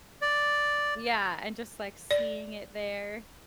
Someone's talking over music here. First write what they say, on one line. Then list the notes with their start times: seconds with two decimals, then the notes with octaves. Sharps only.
Yeah, and just like seeing it there.
0.22 D5
2.11 D5